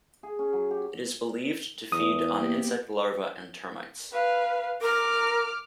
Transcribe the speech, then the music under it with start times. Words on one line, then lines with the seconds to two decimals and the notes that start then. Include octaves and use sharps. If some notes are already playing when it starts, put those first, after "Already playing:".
It is believed to feed on insect larvae and termites.
0.23 G#4
0.39 C#4
0.53 F#3
0.71 G4
1.92 E2 D#6
2.35 A#3 B3 G4
4.12 B4 F5
4.81 A#4 D6 F6